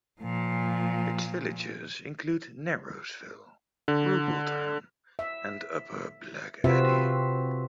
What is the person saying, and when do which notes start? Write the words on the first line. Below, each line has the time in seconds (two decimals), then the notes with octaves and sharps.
Its villages include Narrowsville, Rupletown, and Upper Black Eddy.
0.21 A#2 F3
3.88 D3
5.19 E5
6.64 C3 C4 F4 F#4 B4 E5